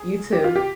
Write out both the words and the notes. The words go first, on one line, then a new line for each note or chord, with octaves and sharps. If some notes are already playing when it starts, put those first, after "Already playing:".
You, too.
Already playing: G#4
G4
F4
G4